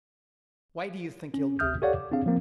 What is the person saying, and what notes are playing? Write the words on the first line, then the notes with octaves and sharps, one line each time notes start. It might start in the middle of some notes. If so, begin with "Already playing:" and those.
"Why do you think he'll do?"
C#4
G#1 D2 E5 D#6 F6 G6
G4 A4 C#5 D5 F5 F#5
D6
C4 D4 G#4 F5
F3 A#3 C4